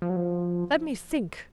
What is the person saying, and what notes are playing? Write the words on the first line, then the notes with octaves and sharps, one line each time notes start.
"Let me think."
F3
F#3
F3